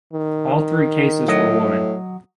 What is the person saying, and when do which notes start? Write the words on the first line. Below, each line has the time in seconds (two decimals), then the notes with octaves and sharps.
All three cases were women.
0.13 D#3
1.28 A2 F#3 D#5